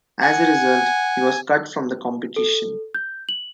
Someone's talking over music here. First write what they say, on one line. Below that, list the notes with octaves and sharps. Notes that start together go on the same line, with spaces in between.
As a result he was cut from the competition.
F#5 G#5
A4
G6
F#7